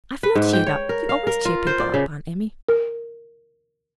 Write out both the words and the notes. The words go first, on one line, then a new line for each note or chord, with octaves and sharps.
I feel cheered up--you always cheer people up, Aunt Emmy.
B4
G#2
G5
C#5
A#4
F5
A#4
F4
C5
D5
C#3
A#4